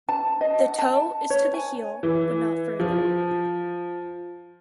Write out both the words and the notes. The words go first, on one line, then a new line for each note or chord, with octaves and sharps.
The toe is to the heel, but not further.
A5
D#5
F#5
A5
C#5
G#5
E3
F3